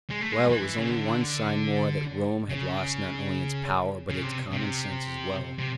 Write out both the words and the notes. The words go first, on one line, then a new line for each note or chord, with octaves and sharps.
Well, it was only one sign more that Rome had lost not only its power, but its common sense as well.
G#3
A3
G#3
E3
C#3
D3
C#3
C#3
C3
C3
C3